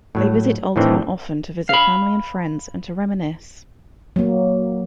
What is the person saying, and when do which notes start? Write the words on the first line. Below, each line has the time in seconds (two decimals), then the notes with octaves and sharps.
They visit Oldtown often to visit family and friends and to reminisce.
0.15 A2 F#3
0.76 A2 D#3 E3 C4 D4
1.69 F5 B5
4.16 F#3 A#3